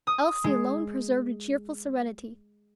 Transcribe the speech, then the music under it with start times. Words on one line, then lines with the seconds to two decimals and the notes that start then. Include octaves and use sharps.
Elsie alone preserved a cheerful serenity.
0.07 D#6
0.44 G#3